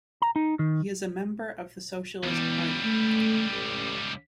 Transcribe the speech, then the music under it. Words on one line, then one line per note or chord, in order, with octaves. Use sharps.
He is a member of the Socialist Party.
A#5
D#4
D#3
C#2 E3 G3 B3
A3
A1